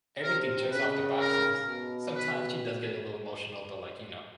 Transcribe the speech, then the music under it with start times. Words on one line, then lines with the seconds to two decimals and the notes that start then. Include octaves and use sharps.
everything checks off the boxes. Sometimes she does get a little emotional, but like, you know,
0.23 C3 A#4
0.72 C#3 B4
1.20 A#4
1.67 B2
2.15 B4